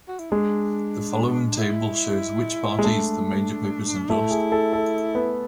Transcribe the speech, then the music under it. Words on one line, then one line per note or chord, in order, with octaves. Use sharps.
The following table shows which parties the major papers endorsed.
F#4
E4
G#3 D4
E4
G#3
A3 D4
A3 E4
G#4
A4
A4
B3